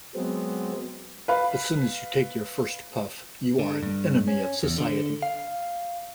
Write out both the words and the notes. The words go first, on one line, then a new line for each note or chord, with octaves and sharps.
As soon as you take your first puff, you are an enemy of society.
F#3 G#3 B3 C4
B4 F5 B5
D3
G2
C#4
E2
D3
F5